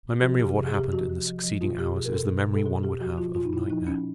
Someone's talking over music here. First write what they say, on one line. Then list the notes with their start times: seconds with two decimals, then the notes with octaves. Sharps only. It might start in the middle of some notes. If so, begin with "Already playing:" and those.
My memory of what happened in the succeeding hours is the memory one would have of nightmare.
0.22 F3 F#4
0.39 C3 G4
0.57 C3 G#4
0.67 G#4
0.74 C3 G4
0.91 F3 F#4
1.09 F3
1.26 F3
1.44 F3
1.61 B2 F4
1.79 B2 G4
1.96 B2 G#4
2.05 A#4
2.13 B2 A4
2.31 B2
2.48 B2
2.54 A4
2.65 B2 G#4
2.83 B2 G4
3.00 F3 F#4
3.18 F3 F4
3.35 A#2 F4
3.45 D#4
3.53 A#2 E4
3.70 F3 D#4
3.87 F3 C#4